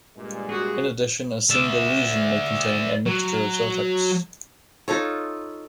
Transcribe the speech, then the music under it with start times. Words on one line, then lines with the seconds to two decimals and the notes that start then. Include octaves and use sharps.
In addition, a single lesion may contain a mixture of cell-types.
0.17 G2 A#2 G#3
0.49 F#4 G#4
1.50 D5 E5
3.06 F#3
4.88 D#4 F4 A4 C#5